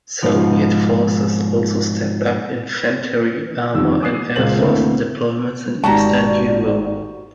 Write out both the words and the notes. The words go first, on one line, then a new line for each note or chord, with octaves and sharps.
Soviet forces also stepped up infantry, armor and air force deployments in Eastern Europe.
G#2 B2 F3
F2 D3 D#3 G3 E6
D6 D#6 F#6 C7
C#2 A#2 G#3 A#3 C5 F#7
D2 E3 A3 A#3 C4
G#1 G#2 F#4 G4 D5 A5 A#5